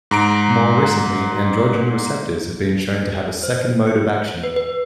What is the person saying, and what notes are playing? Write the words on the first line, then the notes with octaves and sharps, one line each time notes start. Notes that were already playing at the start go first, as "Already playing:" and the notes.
More recently, androgen receptors have been shown to have a second mode of action.
G#2 A#5 D7
C5
C#7
B4
B4